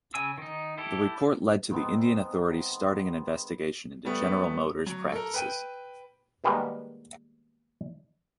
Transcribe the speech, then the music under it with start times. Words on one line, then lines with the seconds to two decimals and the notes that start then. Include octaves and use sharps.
The report led to the Indian authorities starting an investigation into General Motors' practices.
0.14 C#3 G#5 E6
0.38 D#3 D#4
0.78 E4 G4 A4
1.71 D#3 G#3 B3 C4
4.05 G3 A3 B3
4.86 F#3
5.12 A4 A#4
5.34 B4 G5 D#7
6.44 B2 D#3 G3 G#3 A#3 B3